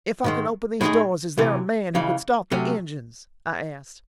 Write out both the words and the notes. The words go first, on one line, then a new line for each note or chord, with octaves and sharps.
"If I can open these doors is there a man who can start the engines?" I asked.
G#2 D#3 G#3
A2 G#3 D#4 G#4
C2 C3 E3
C#2 C#3 E3
C3 F#3 A3 C#4